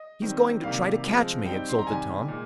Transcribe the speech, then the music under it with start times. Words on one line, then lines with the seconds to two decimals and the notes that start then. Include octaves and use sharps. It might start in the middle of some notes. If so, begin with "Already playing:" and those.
"He's going to try to catch me!" exulted Tom.
Already playing: D#5
0.22 D#3 G3 C4
0.63 C3 D#3 G3 A#3 F5
1.04 F3 G#3 C4 F4
1.45 G3 C4 D#4 G5
1.69 C6
1.79 A#5
1.87 C3 D#3 G3 G#5
2.28 A#2 G#3